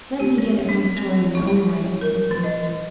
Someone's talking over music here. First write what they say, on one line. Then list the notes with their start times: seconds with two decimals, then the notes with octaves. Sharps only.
'Let me get at my story my own way,'was the answer.
0.20 G4
0.38 C#5
0.69 D4
0.97 C4
1.09 C#5
1.35 E4
1.47 E4
1.70 C#5
2.01 A#4
2.31 E3
2.44 D#5